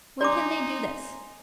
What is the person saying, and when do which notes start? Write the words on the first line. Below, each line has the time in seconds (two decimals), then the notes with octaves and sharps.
When can they do this?'
0.21 D#4 D5 G#5 A#5 C6 D6